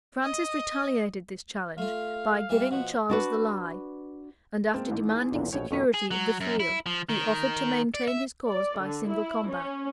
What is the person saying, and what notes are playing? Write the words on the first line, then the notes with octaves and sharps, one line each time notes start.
Francis retaliated this challenge, by giving Charles the lie; and, after demanding security of the field, he offered to maintain his cause by single combat.
D#5
A3 F4 F5
E3 G3 A5
B2 F3 F#5
D4 F#4 B4
G#3 A#3 C4 A5
A1 G#2 E3
G#4
B1 E2 A#2
A#1 B2 C#5 G5
F2 B2 D#3 A3 C#6 B6
G#4
F#3
F#2
E4
F3
D#3
D5
E5
D5
D3
E4
C#4